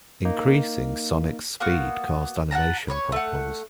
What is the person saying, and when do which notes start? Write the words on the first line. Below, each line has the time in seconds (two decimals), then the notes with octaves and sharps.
Increasing Sonic's speed caused animation problems.
0.25 A#3 D#4
1.60 A#3 B3 F#4
2.51 F#5 G5 A5 A#5
2.88 B4 C#5 C#6
3.12 A3 F#5